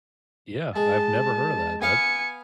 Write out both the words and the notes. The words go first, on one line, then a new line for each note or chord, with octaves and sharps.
Yeah, I've never heard of that, but,
G#3 A5
B3 F5 G#5 C#7